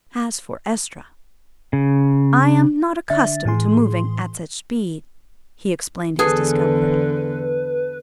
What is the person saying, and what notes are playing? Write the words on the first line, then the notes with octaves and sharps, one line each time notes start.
As for Estra--"I am not accustomed to moving at such speed," he explained his discomfort.
C#3
D3 D4 E5 A6
A2 E3 G#4 C6
E2 D3 G#4 A4 B4